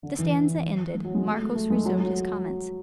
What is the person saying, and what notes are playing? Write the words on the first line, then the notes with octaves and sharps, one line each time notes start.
The stanza ended, Marcos resumed his comments.
D3
E3
G#3
F#3
G#3
A3
A3
G#3
F#3
F#3